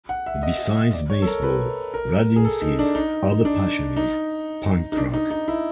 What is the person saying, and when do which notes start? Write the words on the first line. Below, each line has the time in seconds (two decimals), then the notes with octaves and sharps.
Besides baseball, Radinsky's other passion is punk rock.
0.09 F#5
0.26 E5
0.43 D#5
0.93 D5
1.10 C#5
1.22 A4
1.27 A#4
1.43 B4
1.94 A#4
2.36 G#4
2.45 A4
2.62 D#4
2.79 D4
2.95 D#4
3.45 D4
3.97 D#4
4.92 D#4
4.97 D4
5.14 D#4
5.30 D#4
5.48 E4